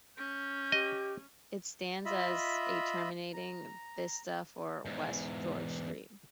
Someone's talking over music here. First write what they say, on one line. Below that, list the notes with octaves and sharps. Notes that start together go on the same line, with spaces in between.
It stands as a terminating vista for West George Street.
C#4 G6
G4 D#5
F4 D#5 E5 B5
A#5
E2 G#2